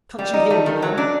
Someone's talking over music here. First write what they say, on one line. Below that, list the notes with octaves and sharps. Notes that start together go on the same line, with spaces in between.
Can't you hear me, man?
G3
D#4
A3
D#3
F#3
D4